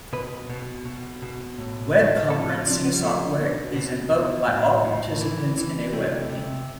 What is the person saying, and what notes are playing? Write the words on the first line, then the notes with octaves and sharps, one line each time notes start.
Web conferencing software is invoked by all participants in a web meeting.
B2 B4
B2
B2
B2
A2
A2
F3 A4
F4
F3 D4
B3
G3
B2 A3
B2
B2
B2
A2
A2
E3
E3
C3 A3
C3